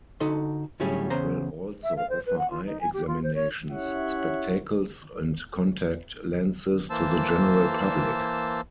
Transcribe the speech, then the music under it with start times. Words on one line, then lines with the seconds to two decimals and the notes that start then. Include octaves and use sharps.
It will also offer eye examinations, spectacles and contact lenses to the general public.
0.20 D3 D#4 F#4 A4 C6
0.80 D2 A2 F#3 G3 C#4 G#4
1.10 E2 C#3 C5 A#5
1.83 E5
1.96 F5
2.09 C5
2.26 B4
2.37 F#5
2.50 F4
2.64 D#4
2.80 G#5
2.93 G4
3.07 F4
3.23 C5
3.34 C#5
3.71 C#4 E4 G4 C#5 E5 F#5
6.90 E3 A#3 C5 A5 E6